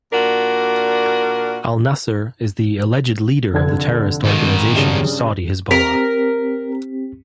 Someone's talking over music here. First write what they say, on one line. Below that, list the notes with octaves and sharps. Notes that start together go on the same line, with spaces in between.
Al-Nasser is the alleged leader of the terrorist organization, Saudi Hizballah.
A#2 D4 F#4 A#4
F1 D3 G#6
G#2 D#3
G2 C#3
C4 G4 A#4 B6